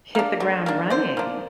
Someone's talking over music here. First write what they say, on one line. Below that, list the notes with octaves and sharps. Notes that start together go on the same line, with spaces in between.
hit the ground running.
A#3 D4
D3
A#3 D4
D3 C5
A#3 D4